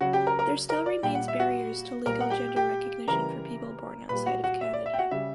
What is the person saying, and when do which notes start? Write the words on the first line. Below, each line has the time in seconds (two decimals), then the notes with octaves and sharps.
There still remains barriers to legal gender recognition for people born outside of Canada.
0.01 C#3 F#3 F#4 F#5
0.13 G4 G5
0.27 A#4 A#5
0.39 A#4 A#5
0.69 A#4 A#5
0.86 D5
1.03 A#2 G3 G5
1.15 F#5
1.28 E5
1.40 F#4 F#5
2.06 A#2 G3 A#4 A#5
2.21 F#5
2.30 G4 G5
2.56 G4 G5
3.07 C#3 E3 G3 A#4 A#5
4.09 A#2 G3 B4 B5
4.26 F#4 F#5
4.44 F#4 F#5
4.61 E5
4.73 D5
4.86 E5
4.94 G5
4.99 F#4 F#5
5.11 C#3 G3 E5